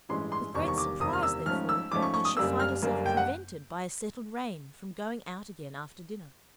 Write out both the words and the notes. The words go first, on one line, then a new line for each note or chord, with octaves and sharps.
With great surprise therefore, did she find herself prevented by a settled rain from going out again after dinner.
A1 G2 E3 G#3 C#4 C6
C6
E2 C3 D#3 G3 A#3 C#6
C#6
D6
E2 C3 D#3 G3 A#3 D#6
F6
E6
G#2 F3 A3 C#4 F6
E6
G#2 F3 A3 C#4 D6
C#6
C#6
D#6
F#1 F#2 D3 G3 A#3 E6
F6
F#1 F#2 D3 G3 A#3
G5
F#5